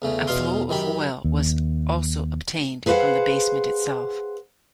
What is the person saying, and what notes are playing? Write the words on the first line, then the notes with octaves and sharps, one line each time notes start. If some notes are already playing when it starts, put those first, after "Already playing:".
A flow of oil was also obtained from the basement itself.
E2 C#3 A3
E2 B2 F4 F5 C6
F#2 D#3 G4 B5
D#2
G#4 B4 C5 D5 F5 F#5